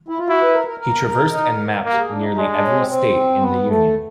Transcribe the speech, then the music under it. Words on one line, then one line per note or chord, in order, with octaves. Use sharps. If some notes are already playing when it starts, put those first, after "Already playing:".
He traversed and mapped nearly every state in the Union.
E4
F4
E4 F#4
B4
A#4
A#4
A#4
D#4
A#3 A#4
G4
G#4
D4
E4
D#4
G#3 D4
D4
C#4
C4
C4
B3
A3